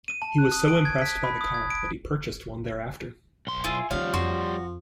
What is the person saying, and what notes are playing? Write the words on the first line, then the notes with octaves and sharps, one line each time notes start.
He was so impressed by the car, that he purchased one thereafter.
D#7
A5
F#6
D#6
D7
G#6
B6
B5
D#6
G#6
D7
B1 C6
E4 F4 G#4
D#3 F3 G3 C#4 C#5 F5
F2 F#4 C6